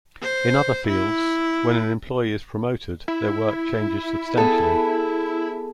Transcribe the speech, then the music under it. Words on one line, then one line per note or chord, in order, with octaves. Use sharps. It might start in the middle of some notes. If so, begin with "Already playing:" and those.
In other fields, when an employee is promoted, their work changes substantially.
C5
E4
E4
B3 G#4 A4